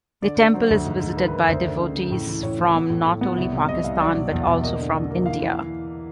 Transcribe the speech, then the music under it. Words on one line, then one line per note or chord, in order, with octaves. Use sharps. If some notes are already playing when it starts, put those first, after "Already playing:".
The temple is visited by devotees from not only Pakistan but also from India.
D3 D5
D3
F#3 C5
D2
G#2
G#2
D#3 B4
B4
D#3
D2 C5
D2
C#3
C#3
A2
E3
A2 C#5
E3
B3
A2
A2
B3
C2
C3
C2 D#5
C2 F5
F#3 D5
B2
E2
B2
A#3 D#5
D3
D3
A#3
E3 F5
E3